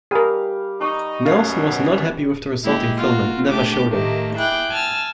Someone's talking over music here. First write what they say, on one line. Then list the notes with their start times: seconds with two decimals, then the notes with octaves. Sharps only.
Nelson was not happy with the resulting film and never showed it.
0.11 G3 G4 G#4 A#4 F5
0.81 D#4 C#6 D#6
1.26 F#2 B2 F5
2.63 G#3 A#3 E4 G4 G#4
2.99 A#3 F4 F#4
3.47 C#3 A3 D4 G4 D6
3.88 A2 D#3 A3 A#3 G4
4.35 E4 G#4 G5 D6 F#6
4.72 G#5 A5 E6 F6